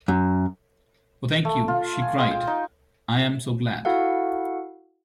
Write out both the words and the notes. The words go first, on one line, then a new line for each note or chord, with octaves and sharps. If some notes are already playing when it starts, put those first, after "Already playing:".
Oh thank you! she cried. I am so glad!
F#2
A3
F4
G#5
G#3
G5
D#4
E4 F#4 A4 F5 F#5